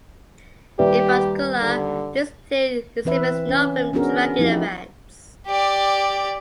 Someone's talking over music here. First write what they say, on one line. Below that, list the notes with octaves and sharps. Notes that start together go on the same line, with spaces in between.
In particular, this theory exhibits no frame-dragging effects.
D#2 G3 G4 B4 D5 E5
D3
E3 C4 B4 E5
C#4
B3 C#4 D4 F#4 G#4 A#4
F3 D#4 E4 G4
G4 D5